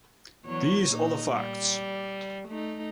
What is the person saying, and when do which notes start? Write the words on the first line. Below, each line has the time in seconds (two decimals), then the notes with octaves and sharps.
These are the facts.
0.45 E2 F#3 C#5
0.89 A#2 D#4
1.35 G3
2.48 A3 D#4